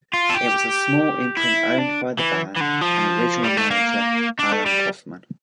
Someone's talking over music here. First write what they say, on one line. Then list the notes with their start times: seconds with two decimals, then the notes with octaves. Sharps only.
It was a small imprint owned by the band and original manager Allan Coffman.
0.13 F4
0.29 A4
0.35 G4
1.37 E4
1.78 D4
2.19 E3
2.56 E3
2.61 D3
2.81 F3
3.43 G3
3.57 A3
3.70 A#3
4.40 D4
4.53 A3
4.66 G3